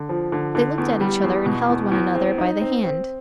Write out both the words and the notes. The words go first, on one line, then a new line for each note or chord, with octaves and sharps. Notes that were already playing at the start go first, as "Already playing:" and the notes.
They looked at each other and held one another by the hand.
Already playing: D3
F3
D3
D3
E2
G3
E2
B2
E2
E2
C4
D#4
C4
C4